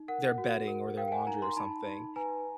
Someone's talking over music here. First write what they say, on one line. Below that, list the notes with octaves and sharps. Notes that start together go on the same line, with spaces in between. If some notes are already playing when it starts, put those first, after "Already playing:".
their bedding or their laundry or something,
Already playing: D#4
A#4 F#5
F#4
A#4
A#4 F5 G5
G5
F#5 G#5
D#4 G#5 A#5
A#5 C6
D#4 A5 B5
D#4
B4 G#5 A#5